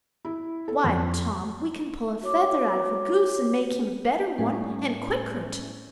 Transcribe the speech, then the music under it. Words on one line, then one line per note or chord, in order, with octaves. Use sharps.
"Why, Tom, we can pull a feather out of a goose and make him a better one; and quicker, too."
E4
A4
F2
F#4 C#5 D6
A2 G3 A3 C#4